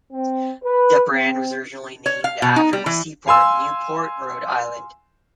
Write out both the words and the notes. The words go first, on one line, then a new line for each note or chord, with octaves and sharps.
The brand was originally named after the seaport of Newport, Rhode Island.
C4
B4
C4
C#5
F5
B2
D#4
G3
E3
F5 G#5 C6 E6